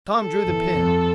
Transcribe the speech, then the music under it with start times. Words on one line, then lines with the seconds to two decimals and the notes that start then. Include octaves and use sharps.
Tom drew the pin.
0.15 A4
0.45 E2
0.74 F2